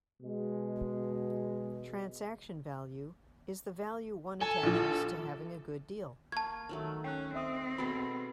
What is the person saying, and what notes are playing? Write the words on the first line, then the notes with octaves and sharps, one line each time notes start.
"Transaction value" is the value one attaches to having a good deal.
B2 G#3
A4 G#5
A#1 F3
A#3 A5 C#6 G#6
D#3 F#3 A3
C#4 G5 F#6
C4 D#5 E5 D#6
B2 G#3 A4 B5